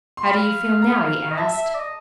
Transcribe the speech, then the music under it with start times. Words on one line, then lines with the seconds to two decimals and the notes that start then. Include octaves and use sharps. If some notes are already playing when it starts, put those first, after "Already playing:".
"How do you feel now?" he asked.
0.17 C6
0.25 F5 B5
0.82 A#5
1.31 D#5
1.38 E5 A5
1.52 E5
1.65 E5
1.74 D5
1.80 D#5